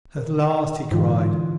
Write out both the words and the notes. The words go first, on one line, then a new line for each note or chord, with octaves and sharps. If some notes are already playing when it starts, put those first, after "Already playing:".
"At last!" he cried.
A#4
G#2 D3 E3 F4